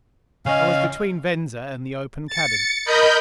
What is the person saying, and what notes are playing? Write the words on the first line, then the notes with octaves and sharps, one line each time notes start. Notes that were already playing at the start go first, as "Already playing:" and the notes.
I was between Venza and the open cabin.
C#3 C#4 D#5 F5
A6 C#7
A#4 D#5 B5 G6